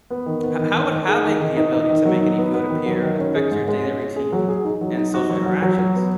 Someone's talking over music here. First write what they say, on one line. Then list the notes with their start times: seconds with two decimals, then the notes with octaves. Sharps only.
h how would having the ability to make any food appear affect your daily routine and social interactions?
0.10 B3
0.26 D#3
0.43 B3
0.59 D#3
0.75 D#3
0.91 D#3
1.08 G#4
1.23 D#3
1.41 D#3
1.57 D#4
1.73 D#4
1.89 D#3
2.05 F#3
2.21 D#4
2.38 B3
2.54 B3
2.70 D#3
2.86 F#3
3.02 D#3
3.19 C#4
3.35 G#4
3.51 G#2
3.68 G#3
3.84 C#4
4.00 C#4
4.16 G#4
4.32 F#3
4.48 G#4
4.64 D#4
4.81 F#3
4.97 D#4
5.14 F#4
5.30 F#3
5.46 F#3
5.62 F#3
5.79 F#3
5.95 B3